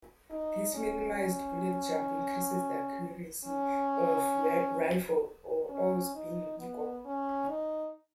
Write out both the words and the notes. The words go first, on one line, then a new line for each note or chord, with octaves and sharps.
This minimized bullet jump increases the accuracy of the rifle, all else being equal.
D#4
C#4
C#4
C#4
D#4
B3
C#4
D#4